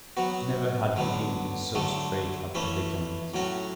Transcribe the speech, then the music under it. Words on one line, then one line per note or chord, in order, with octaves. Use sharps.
Never had he been in so strait a predicament.
F#3 B3 F#4
D3 F#3 B3
D3 F#3 A3
E3 A3 C#4 E4
A2 F#3 C#4 F#4